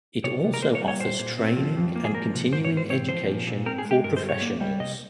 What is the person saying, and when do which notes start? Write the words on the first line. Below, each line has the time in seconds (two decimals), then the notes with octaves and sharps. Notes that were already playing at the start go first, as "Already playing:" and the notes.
It also offers training and continuing education for professionals.
0.24 C3 C#5
0.44 C3
0.54 A#4
0.62 A#3 C5
0.75 C#5
0.81 G3
0.88 C#5
1.00 A#2 C5
1.19 A#2
1.38 C4
1.57 F3
1.76 F2
1.96 A#3
2.05 G#4
2.14 F3 A#4
2.34 C3
2.52 G#2 C5
2.65 C#5
2.71 G#2
2.77 C5
2.90 C4 C#5
3.09 F3 C5
3.27 A#2
3.47 A#2
3.66 C4 A#4
3.78 G#4
3.85 G#3
3.91 G4
4.04 G2 A#4
4.17 C5
4.23 G2
4.29 C#5
4.42 A#3
4.61 G3
4.80 C3 D#5